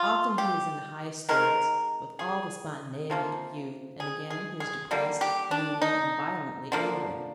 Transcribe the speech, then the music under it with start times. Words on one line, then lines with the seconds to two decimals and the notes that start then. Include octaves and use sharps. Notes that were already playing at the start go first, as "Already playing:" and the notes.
Often he is in the highest spirits, with all the spontaneity of youth, and again he is depressed, moody, and violently angry.
Already playing: F4
0.38 G4
1.29 D#3 G#3 A#4
2.19 G#4
3.10 C3 F3 A#3
4.00 G#4
4.30 G#4
4.60 G#4
4.91 D3 G3 A#3
5.21 G4
5.51 D4
5.82 D#4
6.72 D3 F3 A#3